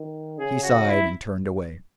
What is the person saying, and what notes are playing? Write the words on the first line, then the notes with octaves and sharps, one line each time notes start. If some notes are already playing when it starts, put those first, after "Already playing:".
He sighed and turned away.
Already playing: D#3
C#3 G#4
F#4
E4